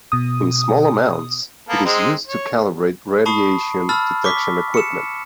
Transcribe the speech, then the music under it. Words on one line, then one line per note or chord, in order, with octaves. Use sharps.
In small amounts, it is used to calibrate radiation-detection equipment.
B2 D#6
A#3 B3 A4
G#3 C4 D#4
C#5
A5 B5 C#6 D#6 C7
A5 B5 E6 F6 A6
C#6 D6 B6
C#7 E7